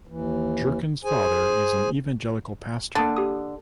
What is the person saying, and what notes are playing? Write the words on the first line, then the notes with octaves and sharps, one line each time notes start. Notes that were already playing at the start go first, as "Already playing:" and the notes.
Jerkins' father is an Evangelical pastor.
D#2 E3
G#4 C5 G#5
D3 A#3 A5 A6
G4 D#6